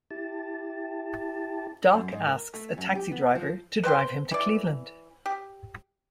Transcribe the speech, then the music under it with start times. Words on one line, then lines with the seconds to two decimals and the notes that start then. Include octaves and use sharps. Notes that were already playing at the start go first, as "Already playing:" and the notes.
Doc asks a taxi driver to drive him to Cleveland.
0.11 E4 G4 A5
1.94 F#2
2.12 G#2
2.27 A#4
2.54 A3
2.78 F#2
2.95 G4
3.12 B3
3.35 F3
3.84 B4 C5 G5 C6
4.32 E3 D5
5.26 G4